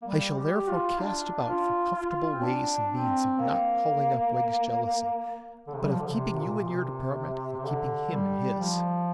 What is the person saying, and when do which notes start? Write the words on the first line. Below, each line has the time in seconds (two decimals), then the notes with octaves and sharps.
I shall therefore cast about for comfortable ways and means of not calling up Wegg's jealousy, but of keeping you in your department, and keeping him in his.'
0.02 A#3
0.07 G3
0.38 G4
0.69 F4
1.01 D4
1.48 F4
1.95 F4
2.33 C4
2.43 D4
2.91 C4
3.38 A#3
5.68 D3
5.75 C3
5.83 G3
5.91 F3
5.99 D3
6.06 C3
6.38 A#2
6.58 A#2
6.70 C3
7.57 C3
7.65 D3
8.12 G3
8.60 F3